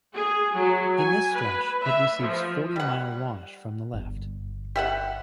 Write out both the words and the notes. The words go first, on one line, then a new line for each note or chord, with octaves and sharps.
In this stretch, it receives Forty Mile Wash from the left.
G#4
F#3
G#5
B4
E5
F3
G3 F#5
G1
G4 E5 F#5